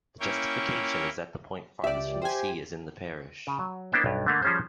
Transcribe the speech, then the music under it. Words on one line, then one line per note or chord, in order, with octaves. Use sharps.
The justification is that the point farthest from the sea is in the parish.
A#3 C#4 E4 C#5 G5
C#2 G4 D5 E5
G4 C5 G#5
C#3
F#3
A#3 B3 D4 E4 C5 G5
B1 G2
D3 A3 A#3
F3 G3 C#4 G#4 C5